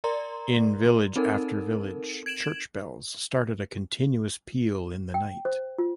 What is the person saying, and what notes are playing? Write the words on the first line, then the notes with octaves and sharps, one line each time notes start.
In village after village, church bells started a continuous peal in the night.
A#4 D5 A#5 C6
C4 D#4 A4 A#4
G#6 D7 E7 F#7
G5
C5
F4